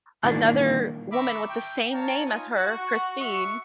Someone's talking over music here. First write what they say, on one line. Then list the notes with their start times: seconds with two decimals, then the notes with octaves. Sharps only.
another woman with the same name as her, Christine,
0.23 A#2 D#3 E3 G3 A#3 D4
1.12 E5 A#5 B5 C#6 D6
1.49 G5
1.92 B3 C#5 F5 A5 A#5
2.25 D#4 F4 G#5
2.56 F#4
3.20 E5 F#5 C#6